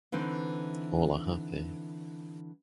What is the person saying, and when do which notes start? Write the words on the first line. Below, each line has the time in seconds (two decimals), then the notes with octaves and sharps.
All are happy.
0.12 D3 E3 C4 D#4